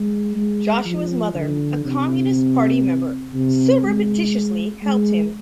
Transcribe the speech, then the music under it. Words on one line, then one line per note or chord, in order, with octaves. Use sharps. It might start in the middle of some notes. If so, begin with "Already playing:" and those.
Joshua's mother, a Communist party member, surreptitiously helped him.
Already playing: G#3
G#3
F3
D3
C3
C3
G#3
G#3